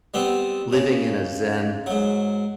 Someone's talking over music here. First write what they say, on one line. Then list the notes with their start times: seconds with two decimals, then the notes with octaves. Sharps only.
living in a Zen
0.14 G3 B3 C4
0.72 C#3
1.86 G#2 F#3